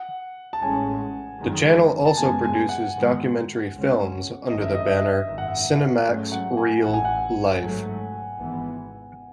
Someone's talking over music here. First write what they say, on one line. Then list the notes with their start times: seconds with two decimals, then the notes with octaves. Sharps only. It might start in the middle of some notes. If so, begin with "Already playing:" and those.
The channel also produces documentary films under the banner "Cinemax Reel Life".
Already playing: F#5
0.53 A5
0.62 A1 A2 G#3 C#4 G#5
1.40 F#2 D#3 G#3
2.05 A5
2.17 F#2 C#3 G#3 B3 G#5
2.44 G#5
2.69 F#5
2.95 G#2 D#3 G#3 B3
3.73 C#2 C#3 G#3 C#4
4.50 G#1 F#2 D#3 A3 C#4 D#5
4.63 E5
4.74 D#5
4.85 E5
4.98 D#5
5.28 G#1 F#2 D#3 E5
5.38 F#5
5.48 E5
6.06 G#2 F#3 A3 C#4
6.32 F#5
6.57 G#5
6.83 A1 A2 E3 F#5
6.94 G#5
7.05 F#5
7.61 G#1 G#2 F#3 A3
8.39 G#1 G#2 E3 B3